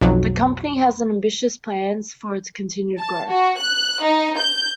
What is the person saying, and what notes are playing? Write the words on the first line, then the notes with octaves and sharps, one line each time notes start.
The company has ambitious plans for its continued growth.
B1 F2 F#3
A5
F#4
F#6
D#4
G6